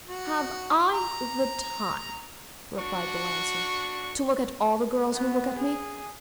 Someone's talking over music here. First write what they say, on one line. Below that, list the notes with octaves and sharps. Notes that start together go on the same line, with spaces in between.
"Have I the time," replied the lancer, "to look at all the girls who look at me?"
F#4
A#5
D4 F#4 C#6
B3 F#4
G#4